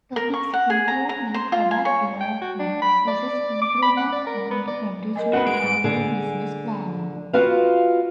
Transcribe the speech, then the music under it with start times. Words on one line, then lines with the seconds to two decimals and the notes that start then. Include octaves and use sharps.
Topics include new product development, process improvement, community enrichment, and new business planning.
0.16 A#4
0.34 C#6
0.54 F#5
0.70 G#4
0.88 A#5
1.09 A#5
1.34 C5
1.52 F4
1.71 G#5
1.85 C#5
2.21 G5
2.42 F#4
2.59 D4
2.82 B5
3.08 D5
3.62 D6
3.83 B5
3.97 F#5
4.13 D5
4.27 A#4
4.51 B3
4.67 D5
5.16 A#4 D#5 G#5
5.33 D4 F#4 B4 F#5
5.47 G#3 D7
5.64 G#2
5.84 D3 G#4
7.33 F4 F#4 B4 D#5 F5